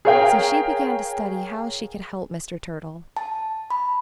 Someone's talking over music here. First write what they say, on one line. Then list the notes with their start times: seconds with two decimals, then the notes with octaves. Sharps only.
So she began to study how she could help Mr. Turtle.
0.05 G#4 A#4 C#5 F5 G5
3.17 A5
3.70 B5